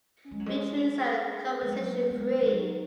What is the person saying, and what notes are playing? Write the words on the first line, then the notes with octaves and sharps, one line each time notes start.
Retreats are conversation free.
C#4
G#3
F#3
G#3
G#4
G#3
F#3 A#3
G#3 B3
G#3
F#3 D#4